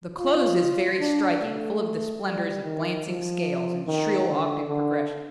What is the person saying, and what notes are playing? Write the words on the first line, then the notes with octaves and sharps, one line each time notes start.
The close is very striking, full of the splendors of glancing scales and shrill octave progressions.
F4
D4
A3
G3
D#3
F3
D#3
D3
D3